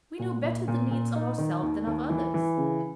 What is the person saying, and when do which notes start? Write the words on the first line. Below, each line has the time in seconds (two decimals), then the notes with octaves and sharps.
We know better the needs of ourselves than of others.
0.19 A#2
0.44 A#2
0.68 A#2
0.91 A#2
1.15 D#4
1.38 D#3
1.63 D#2
1.87 D#2
2.10 E3
2.34 E3
2.57 C#3